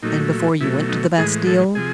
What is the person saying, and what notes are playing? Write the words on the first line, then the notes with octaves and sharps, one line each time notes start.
"And before you went to the Bastile?"
A#2 F#3 A3 D#4
B2 F#3 A3 E4
D#4
A2 E3 G#3 G#4
A4
C3 F3 G#4